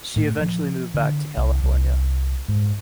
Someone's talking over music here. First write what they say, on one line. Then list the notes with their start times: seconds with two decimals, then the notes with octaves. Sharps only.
She eventually moved back to California.
0.16 A2
0.41 F3
0.94 D3
1.37 C2
1.63 C2
2.48 G#2